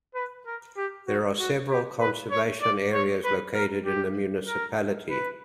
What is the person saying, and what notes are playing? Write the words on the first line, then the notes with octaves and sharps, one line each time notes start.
There are several conservation areas located in the municipality.
B4
A#4
G4
F#4
F#4
G4
B4
C#5
D5
C#5
B4
A#4
G4
A#4
B4